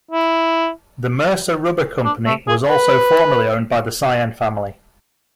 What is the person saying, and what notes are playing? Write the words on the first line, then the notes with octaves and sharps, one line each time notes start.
The Mercer Rubber Company was also formerly owned by the Sayen family.
E4
D4
A3
G#4
B4